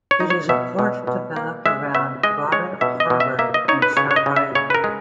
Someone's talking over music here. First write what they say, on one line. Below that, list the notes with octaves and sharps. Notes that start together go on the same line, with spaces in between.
It is a port developed around Robert Harbour and Shark Island.
C#5
D#4
C#5
B2 E5
B2
B2
A#3
G#3 E5
B3 E5
G#3 D#5
G#3 C#5
B2 E5
D#5
B2
E5
A#3 E5
D#5
D#4 C#5
B4
C#3 C#5
C#5
D#5
C#3
E5
C#3 C#5
B4
A#4
G#3